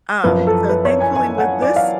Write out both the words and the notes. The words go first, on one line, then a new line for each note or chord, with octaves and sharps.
Um, so thankfully, with this,
F#2 F3 B4
A4
B4
C#5
G#5
G#5
F#5
D5
F5